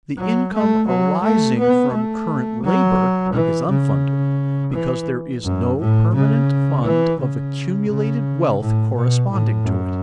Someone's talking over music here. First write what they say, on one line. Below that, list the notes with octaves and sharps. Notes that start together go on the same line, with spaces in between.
The income arising from current labor is unfunded, because there is no permanent fund of accumulated wealth corresponding to it.
F#3
A3
F#3
A3
B3
A3
F#3
E3
C#3
E3
F#2
A2
C#3
E3
C#3
C#3
A2
B2
A2
F#2